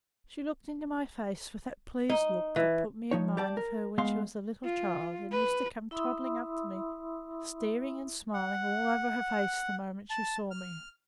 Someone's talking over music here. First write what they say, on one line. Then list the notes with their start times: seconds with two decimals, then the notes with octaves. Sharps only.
She looked into my face with that pleased look that put me in mind of her when she was a little child and used to come toddling up to me, staring and smiling all over her face the moment she saw me.
2.09 D#4
2.56 E3
3.11 F3 D#4 C#5
3.37 G4 D5 A5
3.57 A#4
3.98 G#3 B3 F5 C6
4.64 F4
5.32 B4
5.91 E4 E5 B5 C6 D#6 E6
8.34 F#5
10.10 A5
10.51 F6